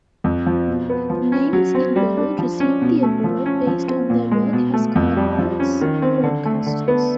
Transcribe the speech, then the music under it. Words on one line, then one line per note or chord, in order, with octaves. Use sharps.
Names in bold received the award based on their work as Cardinals broadcasters.
F2
F3
B2
B3
F3
C#4
F#3
C4
G3
D4
F3
C#4
B2
A3
F3
C#4
F3
C4
A#2
G#3
B2
A3
F2
G3
F3
C#4
D#3
C4
D3
A3
D3
B3